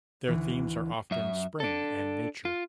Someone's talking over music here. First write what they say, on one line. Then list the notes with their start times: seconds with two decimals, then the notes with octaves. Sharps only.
Their themes are often Spring and Nature.
0.28 D2 E3
1.11 F#2 E5
1.60 D4 A4
2.45 F4